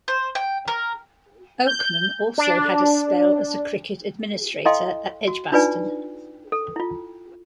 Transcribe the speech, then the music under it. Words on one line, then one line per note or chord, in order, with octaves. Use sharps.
Oakman also had a spell as a cricket administrator at Edgbaston.
C5
G5
A#4
G6
D4
E4 A4 D#5 F5 G5 C6
F#4
D4 D#4 F4 B4 D5 G#5
A4
E4 F4